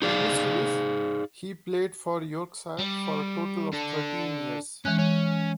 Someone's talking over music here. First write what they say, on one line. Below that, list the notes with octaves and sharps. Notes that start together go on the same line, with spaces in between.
Previous to this he played for Yorkshire for a total of thirteen years.
D#4 G#4 D5 F5
G3
D4 A4
E3 G#3 C#4 F#6
C#4